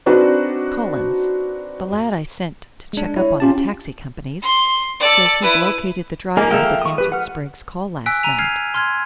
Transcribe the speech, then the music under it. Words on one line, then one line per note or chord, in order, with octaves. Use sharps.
Collins--the lad I sent to check up on the taxi companies--says he's located the driver that answered Sprague's call last night.
C4 D4 D#4 F#4 B4 D5
G#3 D4
E4 C#5
C#4 F4 G4 A5
C6
A4 D5
E4 B4
F3 A#3 D#4 G#4 A#4
G#3 A4 E5 F5 G5
C#6 D#6
G4 B4
F#5 F6
G#5 E6 F#6 B6 D7
A#5 D#7 F7
F6 G#6 C7
C6 F6 G#6